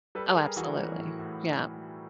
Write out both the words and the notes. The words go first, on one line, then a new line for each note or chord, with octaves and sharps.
Oh absolutely, yeah.
G3 A4 B4
G3 G#4 A#4
E3 F#4 G#4
E3
A2
A2